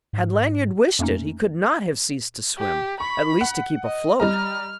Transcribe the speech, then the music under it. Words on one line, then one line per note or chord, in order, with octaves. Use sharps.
Had Lanyard wished it he could not have ceased to swim, at least to keep afloat.
G#2
F2 A3 A#3 C#4 D#4
G4
B5 C#6
F#5
D#5
G3 D#5 A#5 F6